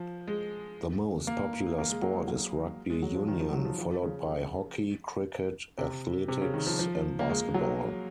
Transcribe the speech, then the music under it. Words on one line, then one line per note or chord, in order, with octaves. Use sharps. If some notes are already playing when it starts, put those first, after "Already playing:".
The most popular sport is rugby union, followed by hockey, cricket, athletics and basketball.
Already playing: F3
G#3
A#3
A#3
G#3
F#3
G#3
F#3
G#3
F#3
F3
D#3
F3
F#3
F3
F3
C#3
C3
C3
C#3
D#3
F3
F3
A#3
G#3
F#3